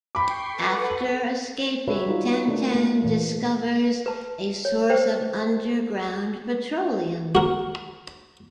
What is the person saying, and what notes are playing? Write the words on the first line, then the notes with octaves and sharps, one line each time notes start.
After escaping, Tintin discovers a source of underground petroleum.
G5 B5 C#6 D6 C7
A4 B4 F#5
D4 F#4 B4 C#5 E5
G3 D#4 F4
A3 A#3 D4
A3 A#3
A#2 E3 A#3
B4 A5
C#5
B4 C5 G5
F#4 A#4